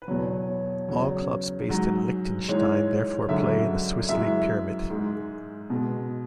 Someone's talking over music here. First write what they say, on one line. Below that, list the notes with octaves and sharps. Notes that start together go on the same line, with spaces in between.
All clubs based in Liechtenstein therefore play in the Swiss league pyramid.
B4
E2 B2 F#3 C#5
C#5
E2 C#3 F#3 C#5
G#2 F#3
G#2 E3 G#3 C#5
F#2 D3 G#3 E5
F#2 E3 G#3 E5
G#2 G#3
B2 G#3